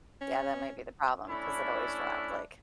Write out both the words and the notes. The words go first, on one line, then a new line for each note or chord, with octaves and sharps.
Yeah, that might be the problem, 'cause it always dropped, like
C#4
A3 C#4 D4 E4